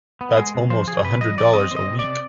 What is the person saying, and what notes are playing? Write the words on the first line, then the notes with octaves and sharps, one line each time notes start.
That's almost a hundred dollars a week!
B3
G#3 G#4
C3
F3 C5
F3 G#4
C3 B4
F3 D#5
F3 D5
C4 D#5
C4
D#5
C3
C3 D5